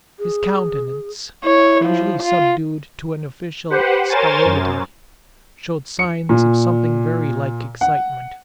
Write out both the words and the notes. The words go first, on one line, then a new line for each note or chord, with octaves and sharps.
His countenance, usually subdued to an official stolidity, showed signs of something very like excitement.
G#4
E4 C#5
F3
F4
G4 B4 C5 F#5
A#4 C5 C#5 G#5 A6
F#2
C#7
A#2
F#5